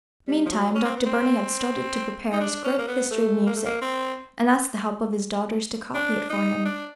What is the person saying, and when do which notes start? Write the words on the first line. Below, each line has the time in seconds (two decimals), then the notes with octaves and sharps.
Meantime Dr. Burney had started to prepare his great History of Music, and asked the help of his daughters to copy it for him.
0.28 G3
0.46 F3
0.52 F#3
0.75 C#4
0.85 C4
0.96 B3
1.06 C4
2.33 D#4
2.40 D4
2.64 C#4
2.78 A#3
2.88 B3
3.11 A3
3.46 A#3
3.56 A3
3.65 A#3
3.82 C4
5.94 D4
6.30 D#4
6.65 D4